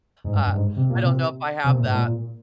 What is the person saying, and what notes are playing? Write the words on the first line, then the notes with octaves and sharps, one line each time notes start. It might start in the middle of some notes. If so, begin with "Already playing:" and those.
uh, I don't know if I have that
G#2
G2
G2
G#2
C3
A#2
C3
C3
A#2
G#2
A#2